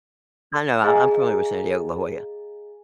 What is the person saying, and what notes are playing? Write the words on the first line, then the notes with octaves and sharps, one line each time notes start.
I know. I I'm familiar with San Diego, La Jolla.
G#4 D#5 F5 G#5 A#5